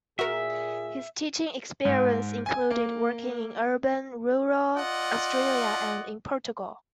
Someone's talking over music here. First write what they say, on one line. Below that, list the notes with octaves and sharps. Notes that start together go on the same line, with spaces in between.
His teaching experience included working in urban, rural Australia and in Portugal.
A#2 F#4 G#4 A#4 E5
G#2
G#5
A#3
F4 D5 D#5 F#5